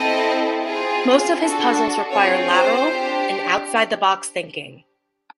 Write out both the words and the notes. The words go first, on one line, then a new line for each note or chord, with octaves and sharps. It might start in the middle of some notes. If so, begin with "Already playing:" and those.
Most of his puzzles require lateral and "outside the box" thinking.
Already playing: C4 E4 A4 D#5
C4 F4 G#4
D4 F#4 A4
C4 F4 G#4 C#5
C5
D4 G4